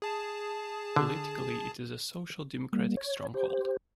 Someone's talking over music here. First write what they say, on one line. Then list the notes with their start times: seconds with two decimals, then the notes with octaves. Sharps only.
Politically it is a Social Democratic stronghold.
0.02 G#4 A5
0.96 D3
2.73 G3 A#3
2.97 C#5
3.34 G4 C5